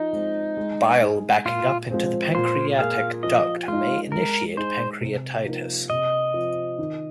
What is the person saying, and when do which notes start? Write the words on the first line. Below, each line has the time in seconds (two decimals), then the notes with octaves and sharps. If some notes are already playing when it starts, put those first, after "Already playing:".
Bile backing up into the pancreatic duct may initiate pancreatitis.
Already playing: F3 D#4
0.13 G#3 C4
0.57 G#3
1.02 D#4 G#4
1.45 A#2 F4
1.90 F3 G#3 C4
2.35 A#2 C5
2.79 A#3 G#4 F5
3.23 F3 D#5
3.68 G#3 D#4 F4
4.12 G#3 A#4
4.57 D#4 G#4 C5
5.01 C3
5.45 F3 A#3 D#4 A#4
5.90 C3 D#5
6.34 F3 C4 F4
6.78 D#3